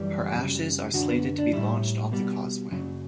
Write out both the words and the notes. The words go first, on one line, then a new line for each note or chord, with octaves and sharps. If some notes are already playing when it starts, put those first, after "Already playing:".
Her ashes are slated to be launched off the causeway.
Already playing: F#2 E3 G3 G4
F#2 C#3 G3
F#2 D3 F#3 F#4
B3
D4
A2 G3 E4
B2 G3
F#2 C#3 F#3